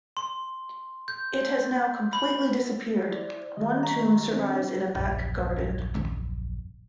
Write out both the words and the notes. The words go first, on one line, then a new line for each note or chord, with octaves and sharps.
It has now completely disappeared; one tomb survives in a back garden.
C6
G6
B5
E4 C5 D5
D#3 G3 D#5
A#5 C#6
C4 D4 C5
D1 A#1 F#2